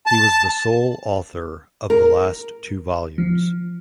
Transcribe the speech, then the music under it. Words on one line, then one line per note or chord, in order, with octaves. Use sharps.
He was the sole author of the last two volumes.
A5
A#4
F3